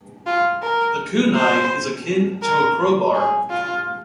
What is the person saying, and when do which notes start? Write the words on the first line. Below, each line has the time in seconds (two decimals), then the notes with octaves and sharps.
The kunai is akin to a crowbar.
0.27 F4
0.62 A#4
1.35 C5
2.42 A#4
3.15 G#4
3.51 F4